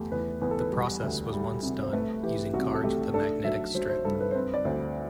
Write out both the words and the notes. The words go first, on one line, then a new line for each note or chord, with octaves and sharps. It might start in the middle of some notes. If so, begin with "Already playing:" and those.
The process was once done using cards with a magnetic strip.
Already playing: E2 A3 G4
E2 B4
E2 B4
A4
B4
G3
D2
G3
C3
C5
A3 B4
E3 G4
C2 F#4
A4
A3 G4
D4 A4
F#3 E5
F#3 C5
C5
G2 A4
B4
C5
C4 B4
D5
D2 C5